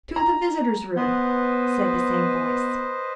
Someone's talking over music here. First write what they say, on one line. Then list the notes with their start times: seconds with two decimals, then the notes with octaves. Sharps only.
"To the visitors' room!" said the same voice.
0.16 A#5
0.96 B3 B4 C5 D#5